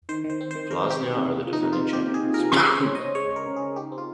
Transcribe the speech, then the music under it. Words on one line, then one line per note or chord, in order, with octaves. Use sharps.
Vllaznia are the defending champions.
D#3 C5
D#3
C5
C4
C5
D#3
C3 A#4
C4 G4
C4
C3
A#3
F3
D#4
C3
F4
C3
C3 G4
C3
G#4
C3
A#4
F3
C#3 C5
C5
C#3
C#5
C#4
D#5
C#4
G#3 C#5
C#3 A#4
C#3
G#4
C#3
D#4 G4
C4
F4